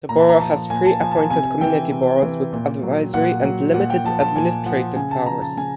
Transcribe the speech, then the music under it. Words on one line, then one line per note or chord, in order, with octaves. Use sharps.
The Borough has three appointed Community Boards with advisory and limited administrative powers.
A#2 A#5
A5
A#5
F3 A5
A#2 G#5
A5
F3 G#5
A5
G#5
C3 G#5
E3 G5
C3
E3
A#2
F#3
A#2 F#5
F#3
A#2 F#5
G5
F3 A5
A5
A#2 G#5
F3 F#5
C#3 G#5
A5
F3 A#5
A5
C#3 G#5